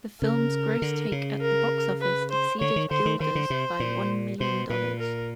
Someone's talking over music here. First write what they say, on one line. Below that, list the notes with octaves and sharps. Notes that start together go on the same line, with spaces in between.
The film's gross take at the box office exceeded "Gilda"'s by one million dollars.
C#3 A#4
D3
C#3
A#4
B4
C5
D3 C#5
D#3
D3 C5
D#3
D#3 C5
D3
C3
A#2
B2 C5
A#2 B4
A#4